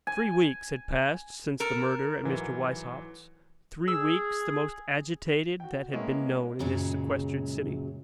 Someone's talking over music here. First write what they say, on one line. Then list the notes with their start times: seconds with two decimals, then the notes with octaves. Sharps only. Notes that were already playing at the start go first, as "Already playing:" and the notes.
Three weeks had passed since the murder at Mr. Weishaupt's--three weeks the most agitated that had been known in this sequestered city.
0.07 G#5
1.60 A4 A#4
2.23 G#2 E3 F#3
3.88 G#4 E6
5.60 F#4 G5
5.93 G#3 A#3 B3 C#4 E4
6.59 F#2 A#2 C#3 F#3 G#3